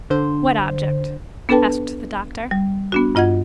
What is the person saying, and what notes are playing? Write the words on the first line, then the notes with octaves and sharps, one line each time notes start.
'What object?' asked the doctor.
D3 C5
B3 D4 A4 B4 G5 A5
G3
B3 D4 F#4
G2 F4 D#5 F#5 G#6